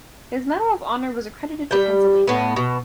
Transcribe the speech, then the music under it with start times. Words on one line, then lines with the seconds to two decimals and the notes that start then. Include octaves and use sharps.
His Medal of Honor was accredited to Pennsylvania.
1.71 G3 G5
2.27 A2 B3
2.56 B2